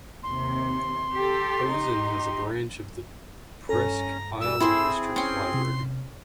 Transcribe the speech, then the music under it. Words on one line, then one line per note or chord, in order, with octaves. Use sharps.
Posen has a branch of the Presque Isle District Library.
D#2 C3 C6
G4 A4
D#4 G4
G2 C#4 A4 A#5
E3 G3 E6
C4 E4 G#4 C5 C6
C#4 G5 C6
C3